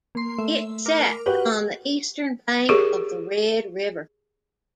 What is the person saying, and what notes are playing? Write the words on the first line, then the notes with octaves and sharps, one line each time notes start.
It sets on the eastern bank of the Red River.
A#3 C6
A3 E5
A#4 D6 F6
F#4 G4 B4 F#5 G5
G4 G#4 A#4 C#5 C#6